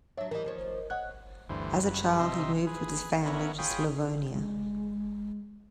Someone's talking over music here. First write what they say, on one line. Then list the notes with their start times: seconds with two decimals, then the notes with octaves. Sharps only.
As a child, he moved with his family to Slavonia.
0.17 F#3 D4 C#5 E5
0.31 E3 G3 A#4 D#5
0.44 D#2 F3 C#5
0.90 C#5 D#5 F#5 F#6
1.49 D2 G2 E3 C5
1.83 F#2 B4
2.19 C3 D#4 E5 C6
2.67 G#4 B4
3.26 B3 C#4 E4 A#4 F#5
3.58 F4 G#4 C#5 G5 B5 D#6
4.29 G#3